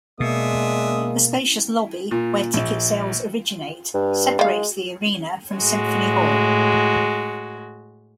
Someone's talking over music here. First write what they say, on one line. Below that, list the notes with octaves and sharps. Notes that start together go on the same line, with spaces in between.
A spacious lobby, where ticket sales originate, separates the Arena from Symphony Hall.
B2 G#3 A#3 D4 E5 D#6
A#2
A#1
G2
D#3 G#3 F5
A2 G#3 F#4